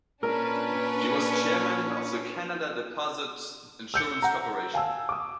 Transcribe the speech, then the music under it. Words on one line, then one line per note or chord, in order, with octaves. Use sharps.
He was chairman of the Canada Deposit Insurance Corporation.
A#2 C#4 D4 A#4 B4
E6 G6 C#7
F#5 A#5
F5 G#5 A5 E6
D6 D#6